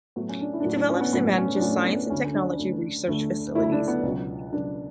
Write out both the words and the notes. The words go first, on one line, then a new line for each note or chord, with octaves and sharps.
It develops and manages science and technology research facilities.
A2 F#3 A3 B3
C#4
D4
E4
D4
A2 F#3 A3 E4
D4
C#4
B3
A2 F#3 A3 B3
C#4
D4
A2 F#3 A3 C#4
B3
D2 D3 A3 C#4
C#4
D4
D2 D3 A3
D2 D3 A3
D2 D3 A3 E4
D4
B3
C#2 B2 F#3
C#2 B2 F#3 D4